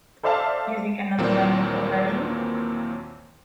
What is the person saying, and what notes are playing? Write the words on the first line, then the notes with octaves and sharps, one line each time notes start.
Using another language or version?
A4 C5 D5 E5 F5 A5
D#2 A#2 E3 F#3 A#3 C4